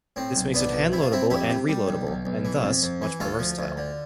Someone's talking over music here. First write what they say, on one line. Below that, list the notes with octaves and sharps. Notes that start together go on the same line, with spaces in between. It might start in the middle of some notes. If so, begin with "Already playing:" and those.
This makes it handloadable and reloadable, and thus much more versatile.
A2 C4
B1
B1 B3 D4
B1
C3 E4
F4
C3 C4 E4
F2 E4 G4
C3
G3
B1
B1
B1
E3
F2
F2
E3
D2 F4 A4
F3
D2
D3